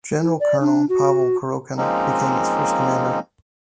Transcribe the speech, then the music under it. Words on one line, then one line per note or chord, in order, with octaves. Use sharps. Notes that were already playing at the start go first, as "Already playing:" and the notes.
General Colonel Pavel Kurochkin became its first commander.
E4
D5
D4
F#4
F3 G#3 A#3 C4 C#4 D#4